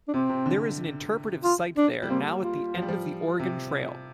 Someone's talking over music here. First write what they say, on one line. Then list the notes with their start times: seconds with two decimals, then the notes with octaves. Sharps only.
There is an interpretive site there now at The End of The Oregon Trail.
0.08 D4
0.14 C3 C4
0.29 C3
0.46 D3
1.44 F4
1.77 D4
2.03 G3
2.09 A#3 C4
2.43 F4
2.75 F3
2.82 G3
2.88 F3
3.39 C3